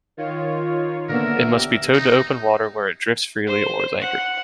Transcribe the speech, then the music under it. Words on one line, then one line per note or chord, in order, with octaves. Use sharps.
It must be towed to open water, where it drifts freely or is anchored.
D#3 F4 C#5
D3 A#3 B3 A#4 E5 E6
G4
D#4
C5
F#5